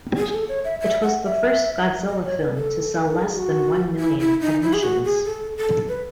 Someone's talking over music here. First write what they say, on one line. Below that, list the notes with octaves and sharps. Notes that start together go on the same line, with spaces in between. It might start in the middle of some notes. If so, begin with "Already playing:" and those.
It was the first "Godzilla" film to sell less than one million admissions.
G#4
A4
C#5
E5
E5
F#5
E5
D#5
C#5
B4
A4
B4
A4
G#4
F#4
E4
E4
D#4
E4
G#4
F#4
G#4
A4
A4
B4